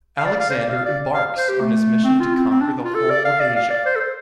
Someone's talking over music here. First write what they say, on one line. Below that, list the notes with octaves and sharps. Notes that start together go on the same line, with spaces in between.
Alexander embarks on his mission to conquer the whole of Asia.
F5
D5
F5
C5
D5
F5
D5
F5
C5
G4
A3
C4
F4
C4
C4
D4
F4
A4
D5
F5
D5
F5
D5
C5
A4
C5